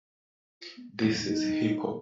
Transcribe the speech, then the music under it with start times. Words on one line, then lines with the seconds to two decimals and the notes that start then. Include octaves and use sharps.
This is hip-hop!
1.22 D#4